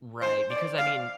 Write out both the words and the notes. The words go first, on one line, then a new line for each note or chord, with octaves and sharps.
Right, because, I mean,
C5
D5
F5